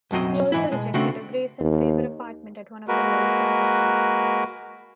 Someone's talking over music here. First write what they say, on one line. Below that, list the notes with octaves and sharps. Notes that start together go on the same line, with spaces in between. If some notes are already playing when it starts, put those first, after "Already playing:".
He also rejected a grace-and-favour apartment at one of the Royal Palaces.
B1 F#2 F#3 C4 D#5
G#2 E3 E4
B2 G#3
C#3 A3 C4 D4 F#4
D#2
G#3 A#3 F#4 A#4 B4